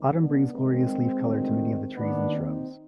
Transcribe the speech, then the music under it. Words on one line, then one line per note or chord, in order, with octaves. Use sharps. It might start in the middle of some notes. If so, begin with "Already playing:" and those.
Autumn brings glorious leaf colour to many of the trees and shrubs.
Already playing: C2 C3 D#3
B3 D4
G#1 G2 D#3 G#3 C4
D2 C3 D#3
D#2 D#3 B3 D4
C4 D#4